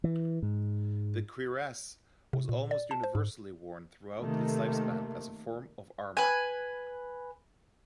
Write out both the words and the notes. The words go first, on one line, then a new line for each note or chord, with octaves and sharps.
The cuirass was almost universally worn throughout its lifespan as a form of armour.
E3
G#2
C3
A#2
D5
A5
C5
G#2
C3 D#3 A3 A#3
B4 G#5